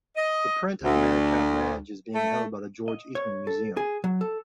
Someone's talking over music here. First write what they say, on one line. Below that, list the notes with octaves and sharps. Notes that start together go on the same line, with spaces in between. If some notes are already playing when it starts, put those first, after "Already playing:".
The print of "Madcap Madge" is held by the George Eastman Museum.
D#5
D2
A3
D#5
C#5
A4
G#4
F#3
A4